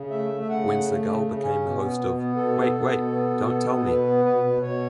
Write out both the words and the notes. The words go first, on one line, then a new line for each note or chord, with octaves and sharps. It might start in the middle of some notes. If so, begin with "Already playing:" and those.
When Sagal became the host of Wait Wait.. Don't Tell Me!
Already playing: C#3
A3 E5
A3
E5
C#3 F#5
A3
A3
C#3
C#3
C#4
B2
B3
B2
B3
B2 A4
B3
B3
B2
B3
B2
B3
B2
A4
B2 B4
B3
B2 B4
B2
B2 C#5